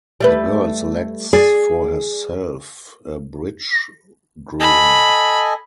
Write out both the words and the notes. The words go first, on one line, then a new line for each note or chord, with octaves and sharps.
The girl selects for herself a bridegroom.
G3 A3 B4
G#4 D5
A4 D#5 G#5 B5